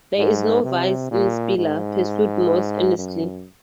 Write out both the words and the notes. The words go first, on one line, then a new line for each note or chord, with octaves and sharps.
"There is no vice in Spiller," pursued Moss earnestly.
G#2
C3
A#2
G#2
F#2